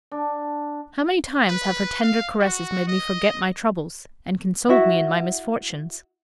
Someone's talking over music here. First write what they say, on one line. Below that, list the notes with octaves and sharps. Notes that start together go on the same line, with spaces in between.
How many times have her tender caresses made me forget my troubles, and consoled me in my misfortunes.
D4
B4
F5
F#4
D#5
E4 F#4 E5 F#5